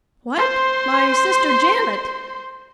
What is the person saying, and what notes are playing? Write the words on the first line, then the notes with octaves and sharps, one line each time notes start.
"What! my sister Janet?"
C5 C6